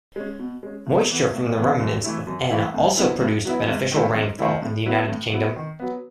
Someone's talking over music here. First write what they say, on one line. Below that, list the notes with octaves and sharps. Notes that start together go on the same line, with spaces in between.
Moisture from the remnants of Ana also produced beneficial rainfall in the United Kingdom.
G#3 C#4
B2
G#3 C#4
A2
E3 B3
A2
E3 B3
F#2
E3 A3 E4
F#2
E3 A3 E4
A2
F#3 B3 E4
A2
F#3 B3 E4
G#2
D#3 A3 E4
G#2
D#3 A3 E4
A2
F#3 B3 E4
A2
F#3 B3 E4
D#3
F#3 B3